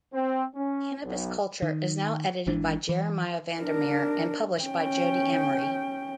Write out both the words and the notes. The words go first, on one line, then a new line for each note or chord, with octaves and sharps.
"Cannabis Culture" is now edited by Jeremiah Vandermeer and published by Jodie Emery.
C4
C#4
B1
D#3
G#1 G#2 E3 D4
E3
D4 A#4
C#4 G5